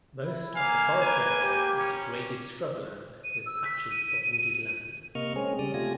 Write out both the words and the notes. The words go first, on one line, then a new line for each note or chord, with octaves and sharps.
Most of the forest area is degraded scrub land with patches of wooded land.
E4
A#3 F5 G#5
A#3 B4 G#5
G4
C#4
D#7
E6
B6
D#7
C3 A#3 D#5 C#6 F6
G#3 C4 C#4 G#4
C#3 G3 D5 D#6
C3 A3 F4 G4 G#5 A#6